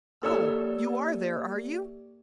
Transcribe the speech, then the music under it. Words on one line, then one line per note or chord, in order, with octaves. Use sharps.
Oh! you are there, are you?
A#3 G4 A4 C#5 D5 E6